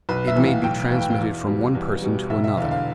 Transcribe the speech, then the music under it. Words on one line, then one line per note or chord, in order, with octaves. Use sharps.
It may be transmitted from one person to another.
B1 B4
E5
A2 E3
F5
B1 G5
E3 F5
A2 G5
F5
E2
B2 G3
E2
B2 G3
E1 E5
E5
E2 D3 F5
F5